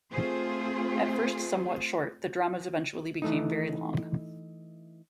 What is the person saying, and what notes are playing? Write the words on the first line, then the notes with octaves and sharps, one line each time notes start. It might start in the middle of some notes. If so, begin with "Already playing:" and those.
At first somewhat short, the dramas eventually became very long.
A3 C4 F4 G#4 C5
E3 A3 D#4